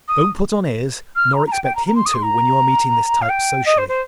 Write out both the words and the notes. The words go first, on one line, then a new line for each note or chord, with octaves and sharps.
Don't put on airs nor expect him to when you are meeting this type socially.
D#6
F6
A#5
A#5
G5
G5
A#5
A#5
C6
D#6
C6
A#5
F5
G5
D#5
C5
C5